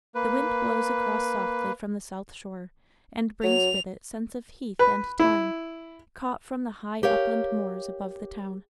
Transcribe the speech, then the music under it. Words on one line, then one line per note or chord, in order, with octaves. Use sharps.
The wind blows across softly from the south shore, and brings with it scents of heath and thyme, caught from the high upland moors above the town.
A#3 B4
F#3 F7
B4
E4
G4 A#4 C#5 F5